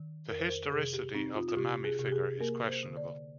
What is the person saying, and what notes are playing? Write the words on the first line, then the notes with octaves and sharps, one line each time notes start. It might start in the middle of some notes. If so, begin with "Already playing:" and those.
The historicity of the mammy figure is questionable.
Already playing: D#3
F2 A#4
C5
A#4
C3 G#4
G4
C4 D#4
F4
F4
C3 G4
G#4
C3
G4
G#4
A#3 A#4
C5
D3
D5